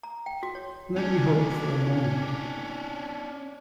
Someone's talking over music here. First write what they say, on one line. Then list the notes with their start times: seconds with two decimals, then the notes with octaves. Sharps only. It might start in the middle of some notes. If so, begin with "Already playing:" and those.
Let me hope for a moment!
0.03 A#5
0.26 G5
0.43 F#4
0.55 C#5
0.96 C#4 D4